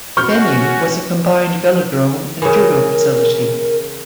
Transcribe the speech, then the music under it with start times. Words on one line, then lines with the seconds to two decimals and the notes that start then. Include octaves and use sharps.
The venue was a combined velodrome and Judo facility.
0.17 C#4 F#4 C#6 F6 G6
2.42 C#3 E3 A#4